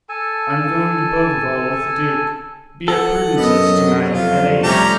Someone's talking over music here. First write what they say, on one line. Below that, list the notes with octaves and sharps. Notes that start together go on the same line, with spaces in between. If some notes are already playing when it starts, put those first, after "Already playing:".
"I am going to Bougival with the duke; be at Prudence's to-night at eight."
A4 G#5 A5
A4 F#5
F#2 B3 D#5
C3 F#3
F2 F4
C3 G3 A3 C#4 G4 A#5